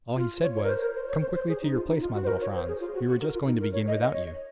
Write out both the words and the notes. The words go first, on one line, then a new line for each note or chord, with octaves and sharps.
All he said was, "Come quickly to your place, my little Franz; we were just going to begin without you!"
F4
C#5
C#5
A#4
C5
A#4
C5
C#5
C5
C5
G#4
D#4
F4
D#4
F4
F#4
C5
A#4
C#5
C5
G#4
F4
F#4
F#4
A#4
F4
D#4
A#4
C#5
D#5
D#5
C#5